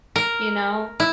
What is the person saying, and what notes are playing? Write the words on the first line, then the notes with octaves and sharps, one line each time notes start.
you know?
A#4
E4